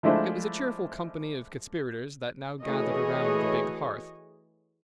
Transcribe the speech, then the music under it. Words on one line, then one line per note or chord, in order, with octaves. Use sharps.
It was a cheerful company of conspirators that now gathered around the big hearth.
F3 G#3 A3 D4 E4 C5
E3 A3 F#4 G#4 C#5 D#5